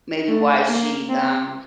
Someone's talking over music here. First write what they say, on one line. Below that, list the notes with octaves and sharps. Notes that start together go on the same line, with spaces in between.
maybe why she, um,
A3
A#3
C4